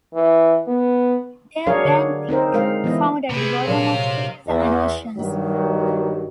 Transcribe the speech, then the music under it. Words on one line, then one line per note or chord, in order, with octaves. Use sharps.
They are benthic, found at the bottom of seas and oceans.
E3
B3
F#3 D4 G#4 A#4 C#5 F5
D3
C4 D#4 A#4 C5
G#3 A#4 F5
E3 B3 E4 D#5
C3 G#4 B4
A#2 F#3 C#5 F5
E2
G2 D#3 F#3